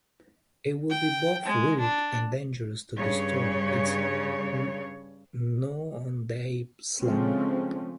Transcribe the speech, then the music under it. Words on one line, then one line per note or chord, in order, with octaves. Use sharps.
It would be both rude and dangerous to disturb its noonday slumber.
G5
G#3
D4
G2 C#3 C#5
C#3 F3 G#3 A3 C4 C#4